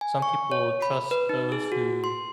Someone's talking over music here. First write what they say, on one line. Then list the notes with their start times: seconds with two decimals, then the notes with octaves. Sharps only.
Some people trust those who
0.01 G#5
0.22 C#6
0.51 C#5
0.82 B5
1.11 B4
1.29 D#4
1.52 G#4
1.72 F#4
2.04 C6